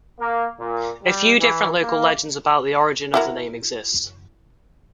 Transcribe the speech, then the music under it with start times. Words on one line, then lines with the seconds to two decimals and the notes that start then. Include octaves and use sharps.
A few different local legends about the origin of the name exist.
0.20 A#3
0.60 A#2
1.03 G3
1.40 E3
1.82 A#3
3.14 E4 F#4 A#4